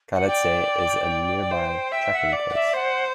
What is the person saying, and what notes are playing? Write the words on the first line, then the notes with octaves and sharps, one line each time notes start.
Khalatse is a nearby trekking place.
F#5
D5 G5
D5
C5
E5 G5
F#5
D5
F#5
E5
C5 F#5